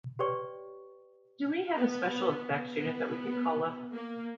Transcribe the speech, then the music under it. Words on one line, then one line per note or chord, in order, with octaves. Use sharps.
Do we have a special effects unit that we can call up?
G4 B4 C#5 D5 G5 C#6
B3
B3
A#3